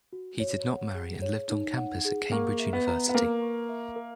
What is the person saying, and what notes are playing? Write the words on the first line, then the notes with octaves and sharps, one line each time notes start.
He did not marry and lived on campus at Cambridge University.
F#4
C#5
F#5
G#4
C#5
D#4
F#5
G#4
A#3 C#6
E5
B3
A#5
B3
A#3 B4
C#6
E5
A#4